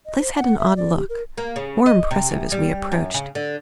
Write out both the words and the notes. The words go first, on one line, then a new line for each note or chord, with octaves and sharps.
The place had an odd look, more impressive as we approached.
D#5
C5
F#5
E5
D5
G4
A#4
A#3
C#3
D#5
C3
F#2
G3
F#2
C#3
D3